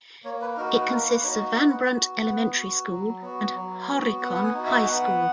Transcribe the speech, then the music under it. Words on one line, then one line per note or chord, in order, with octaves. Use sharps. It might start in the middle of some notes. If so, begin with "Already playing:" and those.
It consists of Van Brunt Elementary School and Horicon High School.
A#3 C#5
B4
D#4 F#4 A#4
B4
A#3 A#4
B4
D#4 F#4 C#5
D#5
B3 F#5
F#4
B3 F#5
F#4
F#3
B3 F#4
F#3
B3 F#4
B3 F#5
F#5
G#5
D#4 F#4
E5
G#5
B3 F#5